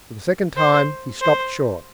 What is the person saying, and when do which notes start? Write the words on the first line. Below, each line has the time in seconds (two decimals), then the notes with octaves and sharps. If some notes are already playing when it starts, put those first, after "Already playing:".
For the second time, he stopped short.
0.57 C5
1.22 C5